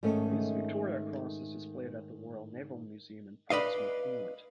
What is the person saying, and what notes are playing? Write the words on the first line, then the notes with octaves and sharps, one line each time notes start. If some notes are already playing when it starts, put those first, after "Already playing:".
His Victoria Cross is displayed at the Royal Naval Museum, in Portsmouth, England.
G#2 D#3 A3 C#4 A4
B4 D5 D#5 F5